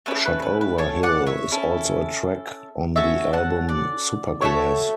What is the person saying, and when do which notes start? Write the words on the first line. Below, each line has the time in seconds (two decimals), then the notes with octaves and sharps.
"Shotover Hill" is also a track on the album "Supergrass".
0.06 A3 C#4 E4 B4
0.16 A4
0.25 B4
0.42 B4
0.61 B4
0.78 A4 C#5
1.03 D5 F#5
1.27 C#5 E5
1.51 C#4 E4 A4
2.96 C#4 F#4 A4 C#5 E5
3.33 F#5 A5
3.69 D5 F#5
4.41 A3 D4 F#4 A4 C#5 E5